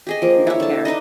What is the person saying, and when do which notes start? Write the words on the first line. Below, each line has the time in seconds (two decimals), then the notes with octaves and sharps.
You don't care.
0.07 G4 G#4 D#5
0.22 F3 A#3
0.47 E4 C#5
0.60 D3 A5
0.85 D4 D#4 B4 D#5